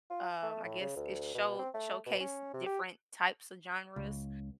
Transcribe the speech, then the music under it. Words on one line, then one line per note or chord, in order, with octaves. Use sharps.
um, I guess, it show showcase different types of genres
F4
A3
A2
C#3
D2
B2
C4
A3
B2
C#4
C3
G4
C#2